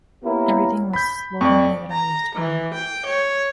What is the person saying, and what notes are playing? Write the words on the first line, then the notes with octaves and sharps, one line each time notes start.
Everything was slovenly that I was doing.
A#3 B3 C#4 E4 G4 A#4
B5 G6 B6
F2 D5 C#6
A#5
E3
G5
C#5